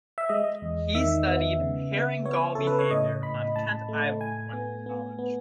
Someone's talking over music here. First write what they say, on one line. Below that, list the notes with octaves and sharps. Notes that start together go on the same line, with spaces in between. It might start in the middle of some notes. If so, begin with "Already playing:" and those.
He studied herring gull behavior on Kent Island while in college.
E5
G#3 D#5
E2
D#3 E5
B3
C#3
B3
B3 C#5
C#3 A4
B4
C#5
A2 D#5
A2 B5
A2 A5
A3
A2 G#5
B3
B3
B3